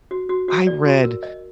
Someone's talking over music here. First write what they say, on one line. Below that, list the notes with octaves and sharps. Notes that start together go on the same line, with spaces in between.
I read
F#4
F#4
F#4
D5
F#4
A#4
D#5